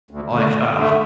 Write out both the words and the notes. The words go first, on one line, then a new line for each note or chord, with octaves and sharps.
Like, ugh,
D2
D3 A3
D2
D3 A3